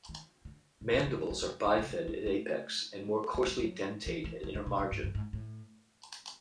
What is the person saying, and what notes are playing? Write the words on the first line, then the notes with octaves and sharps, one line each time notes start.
Mandibles are bifid at apex and more coarsely dentate at inner margin.
D#3
D3
C3
B2
F3
F#3
F#3
F3
D3
C#3
G3
G3
A3
G#3
G3
F#3
E3
E3
D#3
D3
C3
B2
G#2
G2
G#2
A2